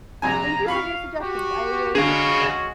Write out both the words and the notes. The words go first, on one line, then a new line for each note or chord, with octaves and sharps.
Thank you for your suggestions, I really appreciate it.
A#1 C3 G#5 A#5
F4 F5 B5 C#6
F#4 G4
D3 G#3 C#4 F#4 G#4 F5